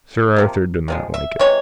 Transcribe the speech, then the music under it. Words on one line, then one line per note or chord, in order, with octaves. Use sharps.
Sir Arthur did not like it.
C3 F3 A#3
C3 F3 G#3
E5
C3 E3 G#3 C#5